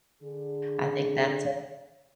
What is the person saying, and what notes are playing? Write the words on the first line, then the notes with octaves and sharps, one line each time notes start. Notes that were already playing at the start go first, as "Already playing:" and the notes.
I think that's a
D3 G#4